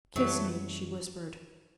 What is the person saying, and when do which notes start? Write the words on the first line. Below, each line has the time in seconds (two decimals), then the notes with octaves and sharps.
"Kiss me," she whispered.
0.15 F#2 E3 F#3 G3 A3